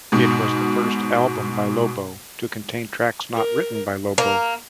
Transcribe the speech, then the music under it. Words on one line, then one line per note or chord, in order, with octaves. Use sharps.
It was the first album by Lobo to contain tracks not written by Lobo.
G#2 B2
A#4
A#3